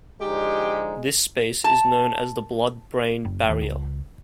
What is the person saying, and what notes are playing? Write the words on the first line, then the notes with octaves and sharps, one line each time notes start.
This space is known as the blood-brain barrier.
D3 F3 G#3 D#4 G4
A5
F#1
D#2
C#2